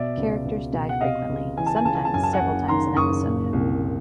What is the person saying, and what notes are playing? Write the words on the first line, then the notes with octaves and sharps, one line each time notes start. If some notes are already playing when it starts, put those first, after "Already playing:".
Characters die frequently, sometimes several times an episode.
Already playing: B2 D5 E5
C#2
C#2
B2
F#5
C3 D#5 F5
C#2
E3 G#5
A5
G#5
C#2 A5
G#5
A5
F#2 G#5
A5
F#5 G#5
F#1
D#3 A#5 C6
F#1 C#6 D#6
A#2
C2